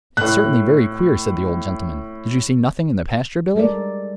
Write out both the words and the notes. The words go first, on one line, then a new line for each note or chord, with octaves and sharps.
"It's certainly very queer," said the old gentleman; "did you see nothing in the pasture, Billy?"
A2 F#6
G3 G#3 A4 A#4 D5